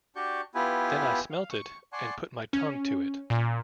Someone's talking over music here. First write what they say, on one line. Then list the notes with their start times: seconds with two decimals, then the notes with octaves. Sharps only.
Then I smelt it and put my tongue to it.
0.16 D4 F#4 G4 D5 C#6 G6
0.55 B3 E4 F4 G4 B4 G#5
1.30 F5
1.49 C#6
1.93 D5 F#5 G#5 A5 C6 C#6
2.53 C#4
3.30 A#2